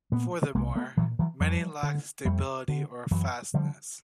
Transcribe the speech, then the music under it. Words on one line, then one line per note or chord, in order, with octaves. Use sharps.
Furthermore, many lacked stability, or fastness.
A#2 A3 B3
C2 G#3 A#3
A3 B3
A#2 E3 F#3
E3 F#3
F2 F3 G3
D3
F2 G3 A3
D3
F#2 E3 F#3
D3 F3 G3